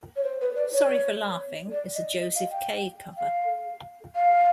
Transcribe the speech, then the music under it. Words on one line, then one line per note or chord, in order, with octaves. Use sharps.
"Sorry for Laughing" is a Josef K cover.
C#5
C5
B4
D5
C#5
D5
D#5
D#5
F5
G5
F5
F5